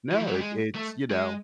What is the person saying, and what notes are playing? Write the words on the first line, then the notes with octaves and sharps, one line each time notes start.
No it it's you know,
E3
F3
F#3
G3
G#3
A3
G#3